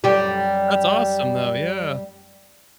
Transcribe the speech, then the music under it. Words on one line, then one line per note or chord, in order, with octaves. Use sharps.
That's awesome, though. Yeah.
F#2 G3 G4